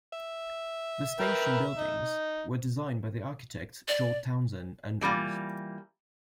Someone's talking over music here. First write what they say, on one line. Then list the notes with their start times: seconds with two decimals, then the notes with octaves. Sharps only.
The station buildings were designed by the architect George Townsend Andrews.
0.13 E5
1.20 A#4 B4 G5
1.77 D#4
3.88 D5
5.01 E3 G3 A#3 F4